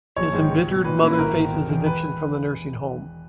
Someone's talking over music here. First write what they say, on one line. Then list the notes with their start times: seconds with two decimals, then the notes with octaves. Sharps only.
His embittered mother faces eviction from the nursing home.
0.16 A#1 C#5
0.33 G#2 D#3 G#3 D#4
0.51 C#2
0.67 B2 F#3
0.85 A#2 B4
1.02 A#3 C#4 E4
1.13 B4
1.18 G#1 A#4
1.35 G#2 D#3
1.53 E1
1.69 E2 D#3
1.86 B4